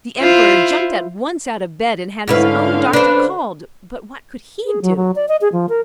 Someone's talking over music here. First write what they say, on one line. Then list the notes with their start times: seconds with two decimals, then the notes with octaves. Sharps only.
The Emperor jumped at once out of bed, and had his own doctor called; but what could he do?
0.19 E4 F4 C5
2.28 G#2 D3 C#4 E4 B4 F5
2.93 D4 B4 C5
4.66 G#4
4.82 F#3
4.96 F#3
5.16 D5
5.29 D#5
5.41 G#4
5.53 F3
5.69 A#4